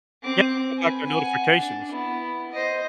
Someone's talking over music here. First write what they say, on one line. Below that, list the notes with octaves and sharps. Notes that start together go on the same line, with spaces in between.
Yeah, with like the notifications.
C4 D6
B4 G#5
F#5 G#5
D4
B3 E4
C5 D#5